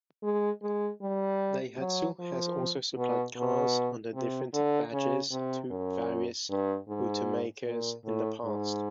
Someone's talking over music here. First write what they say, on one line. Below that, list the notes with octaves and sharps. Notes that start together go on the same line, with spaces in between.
Daihatsu has also supplied cars under different badges to various automakers in the past.
G#3
G#3
G3
F#3
F3
B2
B2
C3
D3
C#3
C3
F#2
G2
G#2
A#2
A2
G#2